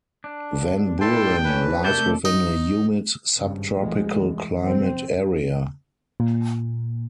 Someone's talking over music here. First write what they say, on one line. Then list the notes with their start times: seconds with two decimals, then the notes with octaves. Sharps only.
Van Buren lies within a humid subtropical climate area.
0.24 D4
1.01 A2 E3 E4 A4 G5 A5 C6
1.44 E3 C#4 B4
1.84 C3 A3 A4 A#4 D5 G6
2.25 D#4
3.37 G#1 G2 C#3
3.78 C#2 B2 F3 G#3 A3
4.15 E3
4.61 F1 C4
6.20 A#2